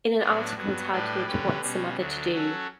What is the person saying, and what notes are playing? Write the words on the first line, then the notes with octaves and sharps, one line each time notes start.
In an article titled What's a Mother to Do?
A2 F#3 B3 D4
G2 F#3 B3
A2 G3 D4 G4 B4
D3 G3 C#4 G4 B4
B2 G3 C#4
D2 D3 F#3
F#3 C#4 F#4 A4